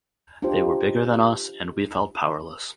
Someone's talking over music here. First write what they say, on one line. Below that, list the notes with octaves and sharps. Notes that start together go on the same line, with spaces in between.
They were bigger than us and we felt powerless.
D4 D#4 F4 G4 C5